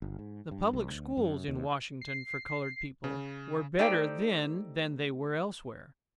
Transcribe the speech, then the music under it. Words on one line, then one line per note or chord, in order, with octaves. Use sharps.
The public schools in Washington for coloured people were better then than they were elsewhere.
G1
G#2
G2
C2
D2
F#2
D#2
C7
C#3
A3 D#4 G4 C5 D5 G5